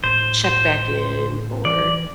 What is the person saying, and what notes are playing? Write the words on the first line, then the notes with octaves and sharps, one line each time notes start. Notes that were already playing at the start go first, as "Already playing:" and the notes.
check back in, or,
A2 C5
C5
E3 D5
E3